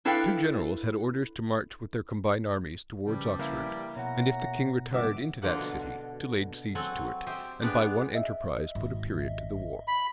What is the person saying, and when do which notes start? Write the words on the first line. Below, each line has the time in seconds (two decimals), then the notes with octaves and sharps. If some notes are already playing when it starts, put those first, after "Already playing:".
The two generals had orders to march with their combined armies towards Oxford; and, if the king retired into that city, to lay siege to it, and by one enterprise put a period to the war.
0.05 D4 E4 A4 B4 F5 G5
3.07 G2 C#3 F3 G3
3.39 A#3 E4
3.96 B2 C#5 F#5 A#5
4.93 G1 E5 F#5 D6
5.42 D3 F3 A#3 F#5
5.59 B2
6.75 F#3 C4 A4 C#5 F#5 G#5
7.26 G4 C5 D#5 E5 G5
7.61 G#3 B3 D4 G4 D5
8.15 D#5 E5
8.75 G#1
9.88 B5